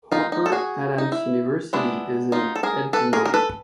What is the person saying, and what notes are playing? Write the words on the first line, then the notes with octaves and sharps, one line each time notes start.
Harper Adams University is in Edgmond.
D#4 F4
D#4
A4
F#4 G#4
D#4
E4
G#3 B3 D4 E4
D#4 F4
A4
G#4 A#4
A4 B4
G#4 A#4
A#4
A4 B4